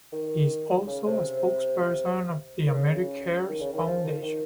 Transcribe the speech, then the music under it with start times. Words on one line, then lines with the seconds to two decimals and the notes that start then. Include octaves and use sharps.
He is also a spokesperson of the AmeriCares Foundation.
0.12 D#3
0.87 C#3
1.06 C3
1.24 C3
2.66 D#3
2.74 C#3
3.49 D#3
3.61 C#3
3.73 D#3
3.86 F3
4.04 D#3
4.23 D#3